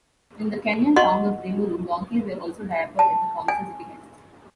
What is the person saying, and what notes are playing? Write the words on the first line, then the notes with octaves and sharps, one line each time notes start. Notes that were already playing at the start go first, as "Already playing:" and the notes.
In the Kenyan town of Limuru, donkeys were also diapered at the council's behest.
D#5 F#5 C6 C#6
A5
G#5